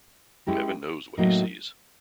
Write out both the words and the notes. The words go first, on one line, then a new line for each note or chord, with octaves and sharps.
Heaven knows what he sees.
G#3 C#4 E4 G4 A#4
A2 F#3 A#3 D#4